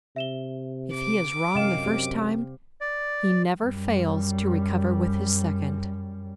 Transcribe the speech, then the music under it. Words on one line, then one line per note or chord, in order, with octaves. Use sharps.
If he is wrong the first time, he never fails to recover with his second.
C3 E5 E7 G7
D6
F#2 C3 D#5 F5 G5 E7
C4 G4
D5
F#2 G3